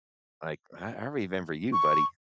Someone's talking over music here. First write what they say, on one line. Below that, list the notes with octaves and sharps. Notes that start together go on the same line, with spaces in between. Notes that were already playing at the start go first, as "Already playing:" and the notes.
like, "I I remember you, buddy."
C#6